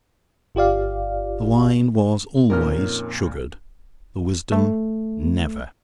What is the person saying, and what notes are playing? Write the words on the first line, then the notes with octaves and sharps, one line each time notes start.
The wine was always sugared: the wisdom, never.
G1 F4 G4 D5 F5
F2 A#2 C#4 D#4 A#4 F6
A3